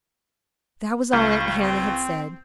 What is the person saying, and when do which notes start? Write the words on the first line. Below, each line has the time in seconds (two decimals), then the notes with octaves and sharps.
That was all Aunt Hannah had said.
1.13 C#2 F5 B5 C#6 G6
1.62 C4 C6